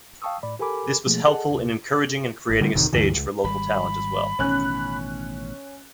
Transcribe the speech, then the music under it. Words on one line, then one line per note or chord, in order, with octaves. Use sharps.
This was helpful in encouraging and creating a stage for local talent, as well.
F5 G5 A5 C#6 D#6 E6
A2 D5 B5
G4 A4 A#4 G#5 B5 D6
B2 F3 A3 A#3 G#4
G#4 A4 D#5 F#5 A5
D2 C3
G#1
D3 G3
E1 A1 C3 D#3
D2 G2 D3 E3
C#2
G#1 G3 B5
A1 B2 D#3 C#4 F#6